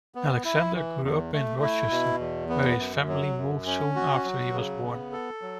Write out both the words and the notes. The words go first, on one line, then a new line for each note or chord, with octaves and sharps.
Alexander grew up in Rochester, where his family moved soon after he was born.
B3
E4
E3
E2
A3
E4
B2
E2
B3
F#2
F#3
F#2
C#4
F#4
F#3
C#3
B3
A4
F#3